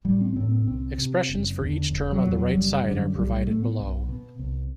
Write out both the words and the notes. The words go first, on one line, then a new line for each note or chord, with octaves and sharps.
Expressions for each term on the right side are provided below.
A1 G3
C4
A2 C4
C4
C2 C4
C3
F#1
E2 D3
E1
F#3
E2 B2
F#3
F#1 G3
F#2 D3
B1 G3
G3
A2 A3
B3
B1
B2
C2